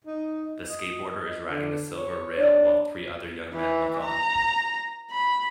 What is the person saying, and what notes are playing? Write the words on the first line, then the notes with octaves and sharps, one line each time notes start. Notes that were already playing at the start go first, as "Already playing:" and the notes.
The skateboarder is riding the silver rail while three other young men look on.
D#4
D#5
D3
C#5
D4 C#5 D5
E3
A#5
B5